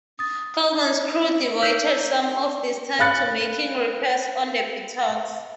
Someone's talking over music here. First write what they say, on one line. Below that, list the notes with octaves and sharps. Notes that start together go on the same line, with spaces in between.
Colburn's crew devoted some of this time to making repairs on the bateaux.
D#6 A6
D#4 C#5 E6 G6 B6 F7
F5 B5 F#6 A6 C#7